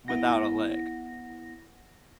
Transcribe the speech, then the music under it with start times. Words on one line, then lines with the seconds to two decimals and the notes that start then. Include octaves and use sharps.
without a leg.
0.08 G1 B3 E4 F#5 A#6